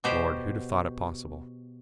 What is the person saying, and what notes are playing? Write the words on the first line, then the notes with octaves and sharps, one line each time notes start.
"Lord--who'd have thought it possible!"
B2 F#4 G4 C5